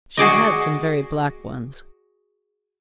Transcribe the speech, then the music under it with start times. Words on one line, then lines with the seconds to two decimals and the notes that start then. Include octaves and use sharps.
She had some very black ones.
0.17 F#4 G#4 D5 D#5